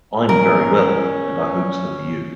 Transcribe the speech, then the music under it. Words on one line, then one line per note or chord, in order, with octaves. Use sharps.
I’m very well, and I hope so are you.
C#4 A#4